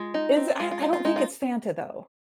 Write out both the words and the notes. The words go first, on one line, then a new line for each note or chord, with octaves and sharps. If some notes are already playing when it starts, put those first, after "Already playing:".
Is I I don't think it's Fanta though.
Already playing: G#3 F4
D#4
C4
G#3 F4
F4
D#4 F4
F4
G#3 D#4
F4